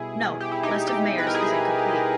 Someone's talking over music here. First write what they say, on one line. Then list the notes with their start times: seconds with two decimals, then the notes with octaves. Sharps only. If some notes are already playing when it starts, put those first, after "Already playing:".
Note: List of Mayors is incomplete.
Already playing: B2 G3 E4 G#4
0.40 G4
0.51 E4
0.63 D#4 G4
0.87 D#4 G4
1.18 B4
1.27 A#4
1.34 E4 G#4